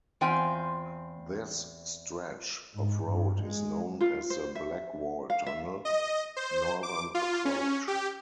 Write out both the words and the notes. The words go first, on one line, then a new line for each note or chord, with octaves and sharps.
This stretch of road is known as the Blackwall Tunnel Northern Approach.
E2 C4 F4 F5 G5 G#5
G#2
G2
G#3
F4
C5
E5
F5
E5
D#5
C5
D6
F4
C#4
G4